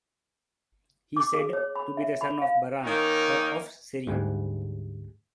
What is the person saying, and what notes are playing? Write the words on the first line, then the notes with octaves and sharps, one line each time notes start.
He is said to be the son of Baran, or of Ceri.
D6
G#4
C#5
B5
E5
B5
F5
D#3 A#3 C#4 D#4
D2 G#2 G3 G#3